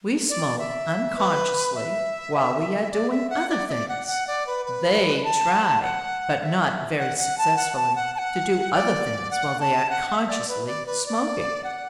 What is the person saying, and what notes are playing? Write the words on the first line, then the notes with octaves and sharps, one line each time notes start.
We smoke unconsciously while we are doing other things; THEY try, but not very successfully, to do other things while they are consciously smoking.
D5
E5
B4
E5
D5
E5
F#5
D5
E5
D5
F#5
F#5
D5
B4
B4
A5
F#5
F#5
E5
F#5
F#5
A5
F#5
A5
F#5
A5
F#5
D5
F#5
A5
F#5
F#5
E5
D5
B4
D5
B4
D5
F#5